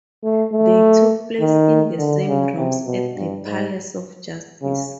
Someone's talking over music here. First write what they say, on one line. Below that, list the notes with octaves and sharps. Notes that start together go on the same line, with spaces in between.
They took place in the same rooms at the Palace of Justice.
A3
A3
D#3
D3
C#3
C3
B2
G2
G#2
C#3